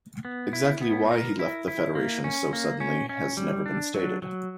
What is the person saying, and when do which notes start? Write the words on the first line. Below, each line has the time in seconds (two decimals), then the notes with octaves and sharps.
Exactly why he left the federation so suddenly has never been stated.
0.25 B3
0.53 E4
0.82 B3
1.11 A#4
1.39 E4
1.68 E4
1.95 A#3
2.24 C#4
2.53 A#3
2.80 C#4
3.09 C#4
3.37 G3
3.66 D4
3.94 F#3
4.22 F#3